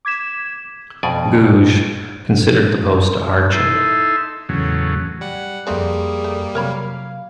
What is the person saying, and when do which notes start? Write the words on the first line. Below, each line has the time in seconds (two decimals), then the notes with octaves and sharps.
Googe considered the post a hardship.
0.05 D6 G#6 B6 E7
1.03 F2 B2 D5 G#5
3.52 D#4 E4 A4 E5 C6
4.49 E2 A2 C#3 F#3
5.21 G3 F#5
5.67 F2 G3 A3 A#3 C4 G#4 D5
6.24 A3
6.55 C3 F#3 A#4 C#5 F5 B5